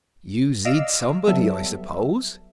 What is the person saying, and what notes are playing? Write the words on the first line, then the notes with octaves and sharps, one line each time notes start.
"You zid somebody, I suppose?"
D5 D#5 F5 D6 E6 F6
F#3 G3 B3 A4 E5